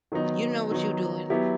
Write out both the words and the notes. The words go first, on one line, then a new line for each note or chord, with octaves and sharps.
You know what you doing.
D#3 F#3 B3 D#4
D#3 F#3 B3 D#4
F#3 B3 E4 G4